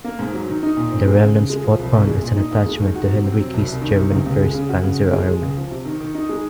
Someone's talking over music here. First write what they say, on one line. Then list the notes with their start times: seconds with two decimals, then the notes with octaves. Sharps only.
The remnants fought on as an attachment to Heinrici's German First Panzer Army.
0.04 A#3
0.19 G#2
0.33 F#3
0.48 D#3
0.63 D#4
0.77 A#2
0.91 C4
1.06 G#3
1.20 C#3
1.35 C#3
1.50 G#3
1.64 F3
1.79 C2
1.93 C2
2.07 G#3
2.22 A#2
2.36 D#4
2.51 D#2
2.65 G#3
2.80 D#3
2.95 F#4
3.09 C3
3.25 C4
3.39 F#3
3.54 C2
3.68 C2
3.82 D#3
3.96 C3
4.11 C#2
4.26 C#2
4.41 G#3
4.54 C#3
4.69 F#4
4.83 C#3
4.98 C4
5.13 G#3
5.27 G#3
5.42 C#2
5.57 F3
5.71 C3
5.85 D#3
6.00 D#3
6.15 D#4
6.29 G#3